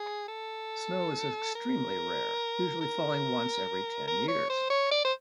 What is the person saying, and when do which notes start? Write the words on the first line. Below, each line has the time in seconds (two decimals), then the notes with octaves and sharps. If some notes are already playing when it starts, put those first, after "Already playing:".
Snow is extremely rare, usually falling once every ten years.
Already playing: G#4
0.28 A4
1.55 A#4
2.81 A#4
4.07 A#4
4.28 C#5
4.49 C5
4.70 C#5
4.91 D5
5.04 C5